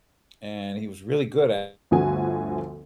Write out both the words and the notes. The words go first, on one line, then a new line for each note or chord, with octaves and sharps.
and he was really good at
G1 D2 D3 F3 F#4 G#5